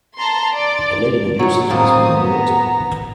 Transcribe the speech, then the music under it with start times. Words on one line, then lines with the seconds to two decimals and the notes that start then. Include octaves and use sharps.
A lady in a blue swimsuit is swimming underwater.
0.17 A5 A#5 C6
0.51 D5
1.39 G#2 F#3 C#5
1.70 A2 A#3 C4 A4 D#6
2.18 B3 A#5